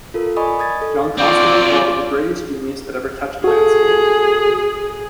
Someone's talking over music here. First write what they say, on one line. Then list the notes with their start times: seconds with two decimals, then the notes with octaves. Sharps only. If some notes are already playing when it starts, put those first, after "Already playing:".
John Constable called him the greatest genius that ever touched landscape.
0.14 F4 A4 A#4
0.36 D5 D#5 G#5 B5 C#6 D#6
0.59 D#6 G#6 A6
0.82 A4
1.18 F#3 C4 F4 D5
3.44 F#4 G#4 A4